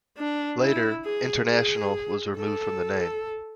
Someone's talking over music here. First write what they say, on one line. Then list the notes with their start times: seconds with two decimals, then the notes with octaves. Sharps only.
Later, "International" was removed from the name.
0.18 D4
0.62 E4
1.05 G#4
1.50 G#4
2.38 A4